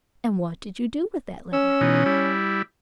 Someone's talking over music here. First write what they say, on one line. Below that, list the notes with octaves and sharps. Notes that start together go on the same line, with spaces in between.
"And what did you do with that letter?"
C#4 E6
B2 E3 D#4
G3 E4